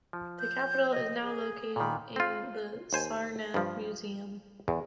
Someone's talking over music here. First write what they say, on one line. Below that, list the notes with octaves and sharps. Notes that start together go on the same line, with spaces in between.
The capital is now located in the Sarnath Museum.
F3
G6
D#5
G#4
A#2 D#3 B5
C4 F4
D#2 C5 G#5
G2 F3
E2